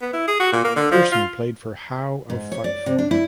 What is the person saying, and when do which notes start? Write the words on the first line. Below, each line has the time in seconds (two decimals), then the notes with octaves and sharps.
Pearson played for Howe of Fife.
0.02 B3
0.13 E4
0.28 G#4
0.40 F#4
0.52 A#2
0.64 A#3
0.76 D3
0.92 F3
1.12 F4
2.30 G#2
2.52 C#5
2.64 D5
2.86 C3
2.99 D4
3.11 E4